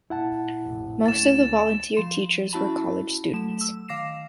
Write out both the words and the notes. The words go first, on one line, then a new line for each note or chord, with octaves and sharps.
Most of the volunteer teachers were college students.
A#2 E4 F#5 A5
A1 F2 C3
D2 A3 C#4 A6 E7
F3 C6 E7
C#4 E4 F#4 A5 B5
F#3 A3 E7
E6
D#3 F5 D6 A#6 C7 E7